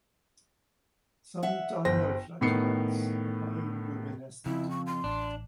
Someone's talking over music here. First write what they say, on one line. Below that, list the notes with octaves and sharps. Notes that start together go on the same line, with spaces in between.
Some dinoflagellates are bioluminescent.
E5 F#5
G1 C5 G5 A#6
A2 D#3 B3 C7 C#7
F2 C#3 E4
C#6
C6
A1 D4